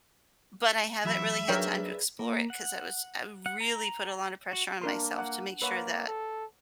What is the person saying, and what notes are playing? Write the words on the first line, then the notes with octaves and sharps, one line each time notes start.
but I haven't really had time to explore it, 'cause I was I really put a lot of pressure on myself to make sure that
E3 F#3 E5 B5
F#3 D4 G#4 A#4 B4 C#5 D5 G5
A#3
F#5
F#5
A#5
F#4
A#3 D4 A#4 C6
F#5
A#3 B4 C#5 F#5
A4